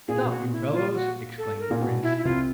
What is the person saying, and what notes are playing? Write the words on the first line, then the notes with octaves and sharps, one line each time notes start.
"Stop, you fellows!" exclaimed the prince.
A#2 G#4
B2
A#2 F#4
E4
F4
F#4
A4
A#4
A#2
B2
E4
E4
C2 C3 F4